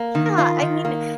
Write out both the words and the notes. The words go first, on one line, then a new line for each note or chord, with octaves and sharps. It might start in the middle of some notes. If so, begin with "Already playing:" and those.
Yeah, I mean s
Already playing: A#3
D#3
F4
D#3
A#3